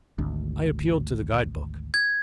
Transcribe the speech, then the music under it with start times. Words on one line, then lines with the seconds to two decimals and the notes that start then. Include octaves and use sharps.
I appealed to the guide-book.
0.18 G#1 D2
1.94 G#6